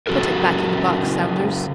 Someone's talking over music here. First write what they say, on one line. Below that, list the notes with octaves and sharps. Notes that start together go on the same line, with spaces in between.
Put it back in the box, Saunders.
C#3 F#3 F#4 A4 A#4